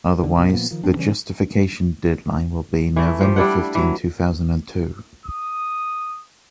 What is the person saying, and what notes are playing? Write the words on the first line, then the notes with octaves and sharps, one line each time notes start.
Otherwise, the justification deadline will be November fifteen, two thousand and two.
D3
C2 B2
A#2 F3 A#3 B3
D#3 F3
A1 G2 C4 D4
C#3 E3 G3 C#4
E3 A3
F3 G4
G3 D4 E4 F#5
E3 F#3
D#6